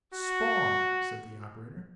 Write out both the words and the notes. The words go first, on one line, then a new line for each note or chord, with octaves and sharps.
"Spawn," said the operator.
F#4